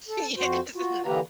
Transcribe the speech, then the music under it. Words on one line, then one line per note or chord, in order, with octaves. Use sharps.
Yes. No.
A4
F2 F#4 C5
F4 F#4
D3 E3 A#3 G4 B4 A#5